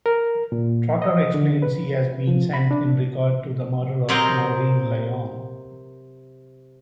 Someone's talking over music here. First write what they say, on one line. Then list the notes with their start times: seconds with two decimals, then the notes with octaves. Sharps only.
Trotter explains he has been sent in regard to the murder of Maureen Lyon.
0.06 A#4
0.52 A#2
1.02 D#5
1.34 D3
1.62 B4
2.27 F3
2.54 B5
2.71 D4
4.09 C3 F#3 C4 A#4 D#5